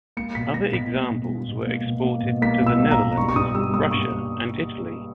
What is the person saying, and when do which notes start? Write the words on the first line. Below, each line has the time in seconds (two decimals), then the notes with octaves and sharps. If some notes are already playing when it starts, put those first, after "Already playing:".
Other examples were exported to the Netherlands, Russia and Italy.
0.17 A#3 C#7
0.35 B2 B6
0.54 A#3 A#6
0.73 B2 B6
0.92 A#3
1.10 B2
1.29 A#3
1.48 B2
1.66 A#3
1.86 B2
2.04 A#3
2.23 B2
2.42 A#3 B6
2.61 B2
2.67 E6
2.79 A#3
2.91 A#5
2.98 B2
3.17 G2 C#6
3.29 C#6
3.35 G2 D#6
3.54 G3 E6
3.74 A#3 D#6
3.91 G2 C#6